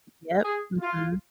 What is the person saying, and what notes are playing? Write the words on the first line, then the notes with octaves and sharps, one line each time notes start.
Yep. Mhm.
G#4
F4